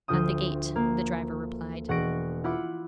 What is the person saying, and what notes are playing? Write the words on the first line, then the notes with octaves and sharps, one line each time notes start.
'At the gate,' the driver replied.
D2 F3 F4 G5 D#6
A#3
E1 F#5 C#6 A#6 D7
E4 F4 F#5 B5 D6